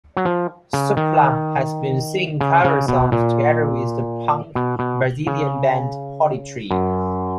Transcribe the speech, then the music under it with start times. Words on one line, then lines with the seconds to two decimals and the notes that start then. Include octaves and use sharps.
Supla has been singing cover songs together with the punk Brazilian band Holly Tree.
0.17 F#3
0.25 F3
0.73 C#3
0.97 D#3
2.41 C#3
2.64 C#3
2.88 B2
3.12 A#2
4.55 B2
4.79 B2
5.27 C#3
6.71 F#2